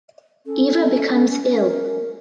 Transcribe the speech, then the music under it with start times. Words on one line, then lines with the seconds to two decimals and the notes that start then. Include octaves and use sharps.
Eva becomes ill.
0.46 C#4 A4
1.55 A#4